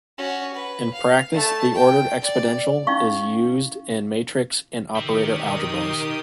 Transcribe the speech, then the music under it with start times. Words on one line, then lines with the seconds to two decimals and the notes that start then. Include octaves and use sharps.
In practice the ordered exponential is used in matrix and operator algebras.
0.18 C#4 F#4
0.54 B4
0.94 F5
1.34 A3 A5
1.75 G5
2.22 D5
2.87 C#4 D#4 E4 F5 C#6
4.95 D#3 G4 E5 D#6